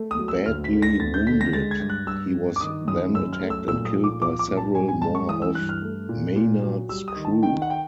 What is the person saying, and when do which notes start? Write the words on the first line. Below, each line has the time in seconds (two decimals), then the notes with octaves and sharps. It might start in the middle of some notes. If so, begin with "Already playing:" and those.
Badly wounded, he was then attacked and killed by several more of Maynard's crew.
Already playing: A3
0.11 D#6
0.19 F#3
0.28 E6
0.46 D2 F6
0.64 B6
0.73 D3
0.82 A#6
1.00 D2 A6
1.14 G6
1.26 D3 B6
1.41 A#6
1.53 G#3 A6
1.71 G#6
1.80 G2
1.90 F#6
2.07 G2 E6
2.34 G2
2.56 D6
2.61 D#3 D#6
2.88 F#2 D#6
3.14 F#2 E6
3.33 F6
3.41 A3
3.50 E6
3.68 A#2 E6
3.85 D#6
3.94 F3
4.04 D6
4.21 F3 D6
4.39 D6
4.48 A#2
4.57 A5
4.75 G2 G#5
4.88 G#5
5.02 G#3 A5
5.15 C#6
5.29 E3 D#6
5.42 E6
5.55 G2 F#6
5.69 F6
5.82 A3
6.09 A#2
6.36 A#2
6.62 F#3
6.89 G3 E6
7.08 D#6
7.16 D#3
7.25 A5
7.43 D#3 G5
7.62 F#5
7.70 G5